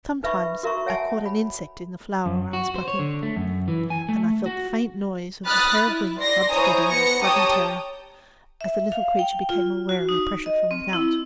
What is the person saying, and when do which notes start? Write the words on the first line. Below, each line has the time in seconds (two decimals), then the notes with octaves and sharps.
Sometimes I caught an insect in the flower I was plucking, and I felt the faint noise of a pair of wings rubbed together in a sudden terror, as the little creature became aware of a pressure from without.
0.23 D#4 B4 E5 B5 C#6
0.63 F#4 A#4 E5 A#5 C6 C#6
0.86 C#5 E5 F#5 G#5 A5
1.26 B5
2.26 F#2
2.53 F#4
2.76 C5
2.88 C#5
2.99 D3
3.23 A3
3.36 F#2
3.68 E3
3.90 G#5
4.09 A3
4.46 F#4
5.47 B5 D#6 F6 F#6 A6
5.87 E4
6.19 D5 C6 A#6
6.51 E4 C5 C#5 G#5 A#5 D#6
6.89 B3 A#6 C#7
7.23 G4 C#5 G5 A5 A#5 D#6
8.61 E5
8.92 F5
9.19 G5
9.49 F4
9.89 F#4
10.09 D#4
10.46 D#5
10.71 C4
10.93 E4